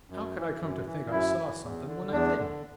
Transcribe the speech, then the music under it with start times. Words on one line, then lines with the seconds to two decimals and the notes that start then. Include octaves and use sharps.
How could I come to think I saw something when I didn't?'
0.10 F#2
0.35 E3
0.61 F#2
0.86 E3
1.11 F#2 E4
1.37 E3
1.61 E2
1.87 D3
2.12 E2 D4
2.37 D3